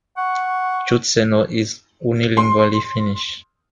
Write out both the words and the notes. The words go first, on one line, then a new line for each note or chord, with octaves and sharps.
Joutseno is unilingually Finnish.
F#5 C#6
C6